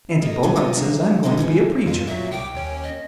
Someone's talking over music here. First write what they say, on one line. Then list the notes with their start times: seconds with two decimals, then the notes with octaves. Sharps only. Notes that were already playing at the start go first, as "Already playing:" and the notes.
Auntie Bogart says I'm going to be a preacher.
0.22 A#3 A4 A#4 D#5
0.43 E3 G3 B3 C4 C5
0.56 C3 F#3 G#3 F4 F#5 G#5
0.73 D3 A4 A#4 D5 E5 F5
1.23 E3 G#3 C4 C#4 D#4 F#4
1.38 C#3 E3 F3 C#4
1.86 F2 F4
2.07 A#2 F#3 E5
2.31 C2 G5 D6
2.55 D#2 C#4
2.83 D#5